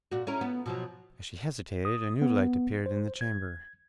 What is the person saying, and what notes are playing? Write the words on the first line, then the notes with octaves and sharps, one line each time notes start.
As she hesitated a new light appeared in the chamber.
A#2 F#4
C#4 E4 A#4
B3
B2 F3 F#3
D#6
B3
C5
G#6